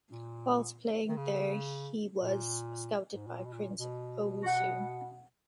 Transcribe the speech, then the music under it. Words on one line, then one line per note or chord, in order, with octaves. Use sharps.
Whilst playing there he was scouted by Prince Owusu.
A#2
D#3
C#3
A#2
G#2
A#2
B2
A#2
B2